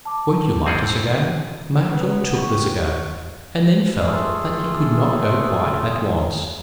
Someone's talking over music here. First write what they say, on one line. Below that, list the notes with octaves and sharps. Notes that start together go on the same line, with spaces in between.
"Won't you light a cigar?" Mountjoy took the cigar, and then felt that he could not go quite at once.
A5 D6
C4 G#4 A4
C#3 E3 B3
G4 F5 C#6
A3 F4 G#4 A4